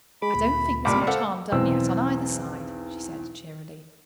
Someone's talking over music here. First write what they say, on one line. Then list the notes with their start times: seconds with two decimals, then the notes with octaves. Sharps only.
"I don't think there's much harm done yet on either side," she said, cheerily.
0.22 G#3 G#4 B5 D6
0.35 D2 A#2
0.85 C#2 A#2 G3 B5 D6
1.07 A4 C5 F5 F#5 E6
1.52 B1 E2 C4 E6